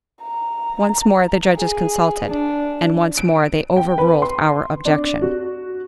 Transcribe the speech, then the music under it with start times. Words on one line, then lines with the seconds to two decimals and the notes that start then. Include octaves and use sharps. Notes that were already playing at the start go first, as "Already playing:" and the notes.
Once more the judges consulted, and once more they overruled our objection.
0.23 A#5
1.57 G#4
2.29 D4
3.18 D7
3.76 G5
3.98 B4
4.22 C6
4.85 D4
5.22 F#4